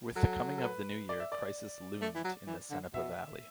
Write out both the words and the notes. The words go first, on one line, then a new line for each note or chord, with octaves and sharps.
With the coming of the new year, crisis loomed in the Cenepa valley.
F#3 A4
A4
B4
D5
E5
D5
A3
E3
F#3
E3
D3
B2 E5